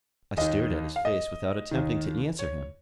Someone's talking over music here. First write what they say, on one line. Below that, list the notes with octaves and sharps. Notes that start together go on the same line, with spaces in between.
I stared at his face without attempting to answer him.
D#2 D#3 D#5
F5
D#5
D#2 D#3
C#5